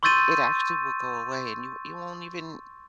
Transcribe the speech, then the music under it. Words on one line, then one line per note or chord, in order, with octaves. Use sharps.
it actually will go away, and you w you won't even
C6 C#6 E6 G6 A6 D#7